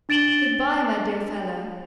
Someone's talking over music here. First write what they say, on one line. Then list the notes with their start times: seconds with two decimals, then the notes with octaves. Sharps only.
Good-bye, my dear fellow.
0.09 D4 A6 D7 E7 F#7 G7